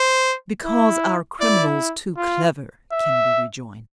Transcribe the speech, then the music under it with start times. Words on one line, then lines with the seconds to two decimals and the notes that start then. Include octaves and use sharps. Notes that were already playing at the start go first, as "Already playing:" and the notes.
"Because our criminal's too clever," Kennedy rejoined.
Already playing: C5
0.65 E4
1.41 E4 D5
2.17 F4
2.92 E5